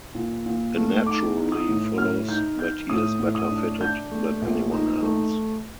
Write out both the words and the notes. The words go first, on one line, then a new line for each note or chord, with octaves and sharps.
It naturally follows that he is better fitted than anyone else.
A#2
A#2
A3
D#4 D6
D#4
D#6
A2
A2 F6
D#4 G6
D#4 G6
A2 D#6
A2
D#6
D4
D4 G6
A3
A#1
D#4
A3